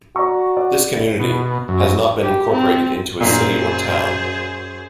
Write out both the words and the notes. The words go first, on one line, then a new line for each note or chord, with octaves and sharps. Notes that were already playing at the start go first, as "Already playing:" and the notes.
This community has not been incorporated into a city or town.
F#4 D5 A#5 C#6
D5 F#5
B2
F#2
G4
C4
F#2 A#2 A#3 G#4 C5